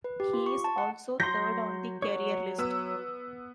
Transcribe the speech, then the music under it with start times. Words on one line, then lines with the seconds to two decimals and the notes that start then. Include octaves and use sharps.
He is also third on the career list.
0.04 B4
0.20 G4
0.33 F4
0.46 C#6
0.64 A5
0.78 F#5
1.20 F#3 C6 G6 A#6
2.02 F#3 C#5
2.58 B3 E6